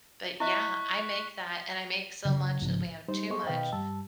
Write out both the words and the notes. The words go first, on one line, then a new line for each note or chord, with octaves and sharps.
But, yeah, I make that, and I make so much that we have too much.
E4 D#5 E5 C#6 F#6 B6
C#3 F#3
A#1 G#2 C#3 F3
G3 D#4 C5
B3 G#4 A4 C5 D#5 C#6
B2 D#3 B4 D#5 F5 G5
G2 G3 A5 E6